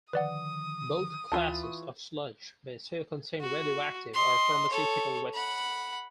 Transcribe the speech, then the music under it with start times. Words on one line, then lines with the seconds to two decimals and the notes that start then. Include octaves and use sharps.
Both classes of sludge may still contain radioactive or pharmaceutical wastes.
0.13 D3 D#3 F3 B4 D5 F#5 D#6
1.32 D2 E3 F4 A5 A6
1.63 C#6
3.41 F#4
4.14 D#5 C6
4.70 A4 C#5
5.34 F#5 B5